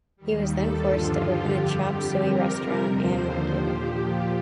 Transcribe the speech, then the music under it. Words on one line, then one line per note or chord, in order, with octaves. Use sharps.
He was then forced to open a chop suey restaurant and market.
D#2 D#3 G3
A4
G2 D3 F3 F4
G4
F2 D3 G3 G4
F2 C3 G3 A#4
D#2 D3 F3 C5
A#2 F3 G4
G4